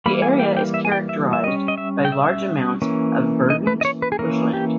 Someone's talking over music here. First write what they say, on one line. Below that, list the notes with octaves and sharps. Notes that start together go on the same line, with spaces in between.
The area is characterised by large amounts of verdant bushland.
E3 G3 A#3 B5
G#5
G5
G5
E5
G#5
G5
E5
E5
G3 C#4 D#5
D#5
E5
G5
E5
E3 A#3 C#4
D#5
B4
D#5
C#5
B4
G#4
E3 A#3 C#4 A#4
G4